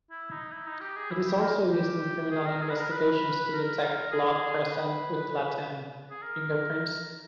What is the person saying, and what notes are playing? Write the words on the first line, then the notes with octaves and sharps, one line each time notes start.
It is also used in criminal investigations to detect blood present with latent fingerprints.
E4
D#4
E4
D#4
G4
G#4
E4
G4
A#4
G4
G#4
A#4
G#4
B4
A#4
B4
A#4
A#4
G#4
B4
G#4
A#4